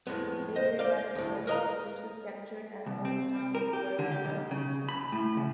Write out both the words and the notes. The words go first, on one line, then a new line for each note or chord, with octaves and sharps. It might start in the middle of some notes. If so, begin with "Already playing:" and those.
Later that year, his forces captured and lost the town of Burton upon Trent.
F2 A2 G#3 B3
C5 D#5
C5 D5 F5
D2 A2
A#4 B4 D#5 F5 A#5
C2
C4
A#4
G4
D3
G4
B1
C#3
B5
A2
C#3